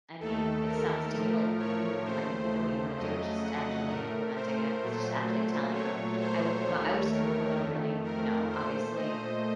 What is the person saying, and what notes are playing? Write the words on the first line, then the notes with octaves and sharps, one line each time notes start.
I mean, it sounds to me like you you I think you know what you wanna do, it's just actually implementing it, it's just actually telling them. I would come u I would just come up with a really, you know, obviously,
D#2 D#3 A3 A4
A#4
A2 F3 A3 A#4
C#5
D#2 C#3 A3 C5
C5
F2 C#3 F#3 A3 D#5
F#5
A2 A3 A#4
C5
A#2 F#3 A3
A#2 F#3 A3 C#5
C5
D#2 D#3 A3 C#5
A#4
F2 D#3 A3
A#4
A#2 A3 C5
D#5